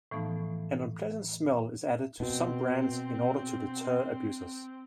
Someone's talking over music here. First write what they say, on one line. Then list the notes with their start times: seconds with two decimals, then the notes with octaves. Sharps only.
An unpleasant smell is added to some brands in order to deter abusers.
0.11 A2 E3 F3 A3 B3 D#4
2.20 B2 C4